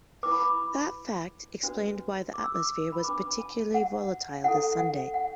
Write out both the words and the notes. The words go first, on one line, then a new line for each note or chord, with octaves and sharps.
That fact explained why the atmosphere was particularly volatile this Sunday.
E4 B4 D6
B5
D6
D4 F#4 B4
D6
E6
D6
B5
D4 B4 D6
A5
F#5
E4 A4 F#5
F#5
F#5